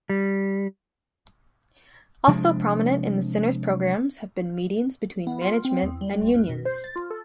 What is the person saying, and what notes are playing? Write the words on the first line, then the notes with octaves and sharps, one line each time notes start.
Also prominent in the center's programs have been meetings between management and unions.
G3
C3 F3 G#3 D4
B3
F4
C4
E2
G3
C#2
F#2
B2
C5
A6
F4
A4